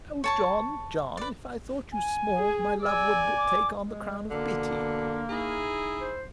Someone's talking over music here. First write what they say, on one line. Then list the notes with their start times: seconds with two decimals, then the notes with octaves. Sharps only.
Oh John, John, if I thought you small, my love would but take on the crown of pity.
0.24 C#5 A5 C#6
1.17 B4 D5
1.93 G#5
2.37 G#4
2.82 D5 G#5 E6
3.38 D6
3.85 G#3
4.31 B2 D3 A#3
5.30 D#4 E4 G#4
6.00 C5